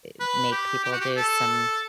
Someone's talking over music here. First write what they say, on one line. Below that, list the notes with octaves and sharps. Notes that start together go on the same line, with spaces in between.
i make people do some
B4
G4
G4
F#4
G4
A4